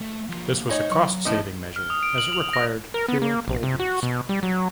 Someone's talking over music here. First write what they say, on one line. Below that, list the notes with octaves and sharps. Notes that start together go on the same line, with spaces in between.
This was a cost-saving measure as it required fewer toll booths.
A3
F3 A#3
D#4 C5 C#5 D#5 G#5
F#3 C#6
A2 F3 D#4 C5 D#5
F6
D#6
D7
F#7
F7
A#6
A#4
B3
A#3
A#1
C3
F#4
B2
G3
F#3